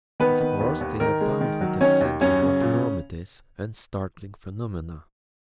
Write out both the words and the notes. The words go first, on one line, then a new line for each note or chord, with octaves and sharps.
Of course, they abound with eccentric abnormities and startling phenomena.
D#3 B3 B4
D#3
D#2
D#2
D#3 A#4
G#3
D#3
F#3
D#3 C#4 C#5
D#2
F#2 C#4 C#5
C#3
A#2